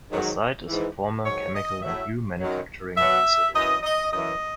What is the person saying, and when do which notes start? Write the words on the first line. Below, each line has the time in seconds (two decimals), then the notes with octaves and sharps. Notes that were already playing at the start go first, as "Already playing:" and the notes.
The site is a former chemical and glue manufacturing facility.
0.11 G#2 D#3 F#3
0.68 G#2 E3
1.26 G#2 D#3 F#3 C#5
1.54 D#5
1.83 A2 F#3 E5
2.40 F#2 D#3 F#3
2.97 B2 F#3 E5
3.55 F#2 E3 D#5
3.83 D#5
4.12 F#2 E3 D#5